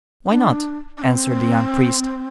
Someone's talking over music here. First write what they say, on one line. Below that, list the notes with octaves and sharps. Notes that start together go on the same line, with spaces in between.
"Why not?" answered the young priest.
D4
D4
C4